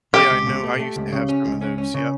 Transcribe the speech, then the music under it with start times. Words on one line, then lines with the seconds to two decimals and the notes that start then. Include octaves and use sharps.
Yeah, I know, I used to have some of those, yup.
0.13 B2 G4
0.30 C#2
0.47 B2
0.63 A3
0.79 A3
0.96 C#2
1.12 C#3
1.29 C#4
1.45 C#2
1.61 C#4
1.78 C#4
1.94 C#3